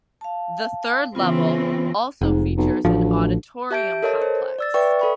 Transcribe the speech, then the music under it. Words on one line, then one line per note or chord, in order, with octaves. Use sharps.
The third level also features an auditorium complex.
F5 A5
C#3 E3 B3 C4 F4
F1 G#2
B1
A1 D2 F3
G4 E5 A5 G6 D7
A4 A#4 C#5 D#5 A5
C5
D5 E6 A6
B4 D5 E5 G5 C#6
A4 B5 C#6